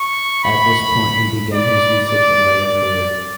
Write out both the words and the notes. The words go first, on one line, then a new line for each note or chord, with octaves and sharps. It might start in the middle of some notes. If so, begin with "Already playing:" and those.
At this point, he began his research and writing career.
Already playing: C#6
B5
D5
D5
D5